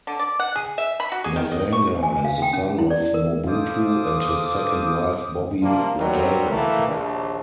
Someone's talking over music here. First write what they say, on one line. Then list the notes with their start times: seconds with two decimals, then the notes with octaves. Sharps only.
Nazanga is the son of Mobutu and his second wife Bobby Ladawa.
0.07 D3
0.19 D5
0.40 F#5
0.56 G#4
0.78 E5
1.00 B5
1.12 F#4
1.24 G#4
1.36 D#3
1.52 D#5
1.73 C#6
2.03 G#5
2.25 F5
2.42 G5
2.53 C#4
2.78 E4
2.90 D5
3.14 A#4
3.46 F4 A4 C5 D6 D#6
5.62 C3 F3 G3 A#3
5.98 F#3 G3 C4 A#4
6.51 D#3 E3 A3 A#3
6.87 A#1 D#2